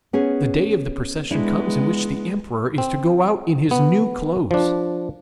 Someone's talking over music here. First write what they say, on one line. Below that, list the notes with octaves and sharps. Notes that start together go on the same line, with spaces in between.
The day of the procession comes in which the emperor is to go out in his new clothes.
B3 C#4 G#4
G#3 B3 D4 E4
C4
B3
F3 D4